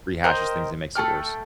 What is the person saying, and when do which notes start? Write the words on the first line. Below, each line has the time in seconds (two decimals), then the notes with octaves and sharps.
rehashes things and makes it worse.
0.24 A#4 C5 D#5 G5
0.95 A3 A4 G5 F6